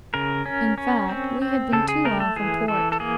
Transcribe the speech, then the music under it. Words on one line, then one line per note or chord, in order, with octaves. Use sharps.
In fact, we had been too long from port.
C#3 A#4
C#4
C#4
C4
C4
C#3 A4
G#4
A3 A#4
A4
E3 G#4
E3 A4
A4
A#3 G#4